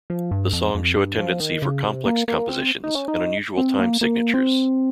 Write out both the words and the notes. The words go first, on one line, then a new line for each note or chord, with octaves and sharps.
The songs show a tendency for complex compositions and unusual time signatures.
F3
G2
F2
F2
G2
F3
D#3
C#3
C3
A#3
A#3
C4
D#4
C#4
D#4
C4
A#3
A#3
C4